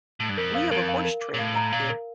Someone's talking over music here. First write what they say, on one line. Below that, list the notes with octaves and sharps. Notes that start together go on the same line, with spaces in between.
we have a horse trail up here
A2
G2
F2 A#4
F5
F2 A#4
F5
A#4
D6
A#2
A2 F5
A#5
A#2 F5
A#4